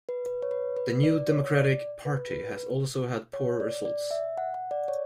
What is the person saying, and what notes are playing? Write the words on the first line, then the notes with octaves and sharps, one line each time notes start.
The New Democratic Party has also had poor results.
B4
B4
C#5
B4
B4
D5
C#5
D5
B4
B4
C#5
D5
D5
E5
F#5
F#5
D5
C#5